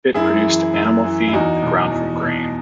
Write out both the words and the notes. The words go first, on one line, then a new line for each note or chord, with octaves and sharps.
It produced animal feed ground from grain.
F#2 E4 G#4
E3
F#2
E3
E4
E2 D#4 F#4
B2
E2
B2